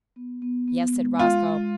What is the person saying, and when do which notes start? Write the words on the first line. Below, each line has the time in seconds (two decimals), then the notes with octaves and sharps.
"Yes," said Roscoe.
0.16 B3
0.42 B3
0.68 B3
0.93 G#3
1.19 G#3 F4
1.45 G#3